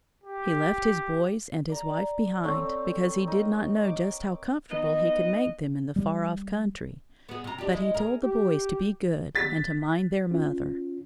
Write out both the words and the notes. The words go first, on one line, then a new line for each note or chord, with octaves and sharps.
He left his boys and his wife behind, because he did not know just how comfortable he could make them in the far-off country, but he told the boys to be good and to mind their mother.
G4
D5 A#5
A3 C4 C#5 D5 C#6
A#3 D#4
D6
B3 D#4 D#5
G3
B3 G#4
C3 A#4
D4 G4
G#3 E4
G#4 A#4
G4
A6 B6
C#4 F4